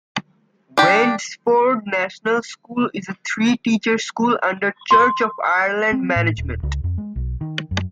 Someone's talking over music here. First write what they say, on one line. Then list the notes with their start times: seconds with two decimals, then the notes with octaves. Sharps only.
Wandesforde National School is a three-teacher school, under Church of Ireland management.
0.78 D4 G4
4.91 C6
5.92 C4
6.16 A2
6.38 D#1
6.63 C#2
6.84 F2
6.98 G#3
7.16 B1
7.41 D#3
7.71 F#2